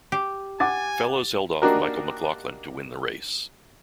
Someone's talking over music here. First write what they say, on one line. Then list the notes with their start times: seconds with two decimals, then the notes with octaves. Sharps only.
Fellows held off Michael McLaughlin to win the race.
0.12 G4
0.60 F#5 G#5 D6 A6
1.62 A#3 D4 D#4 F#4 G4 A#4